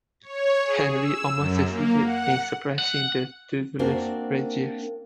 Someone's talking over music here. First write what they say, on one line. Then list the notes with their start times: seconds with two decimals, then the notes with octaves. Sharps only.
Henry almost succeeded in suppressing the "Titulus Regius".
0.22 C#5
0.62 G#4
0.92 E6
1.34 F#2
1.67 A#3
2.02 F#5
2.79 F#5
3.79 A#3 C4 D4 F#4 A#4 C5